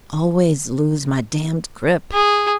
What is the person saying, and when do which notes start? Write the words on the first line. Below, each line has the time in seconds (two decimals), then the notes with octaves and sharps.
Always lose my damned grip.
2.13 G#4